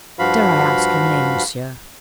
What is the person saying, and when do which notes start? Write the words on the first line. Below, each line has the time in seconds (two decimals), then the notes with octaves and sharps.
Dare I ask your name, monsieur?'
0.19 G2 F3 F#4 F5 B5